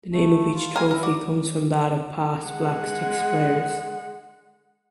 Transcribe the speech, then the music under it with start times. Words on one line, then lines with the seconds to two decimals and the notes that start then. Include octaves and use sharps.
The name of each trophy comes from that of past Black Sticks players.
0.13 A3
0.53 F4
0.76 A#4 C5 G#5
0.91 E4 A#4
1.03 F#4 D5
2.44 G#3 F#5